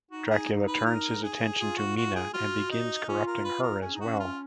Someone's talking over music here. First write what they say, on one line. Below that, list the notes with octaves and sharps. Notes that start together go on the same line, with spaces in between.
Dracula turns his attention to Mina and begins corrupting her as well.
D#4 F#4
A#4
G#4
B4
A#4
G#4
F4 G#4
F#4
F#4
G#4
F4 F#4
D#4
C#4 F4
A#4
B4
A#4
C#4 G#4
D#4
F#4
C#4
F4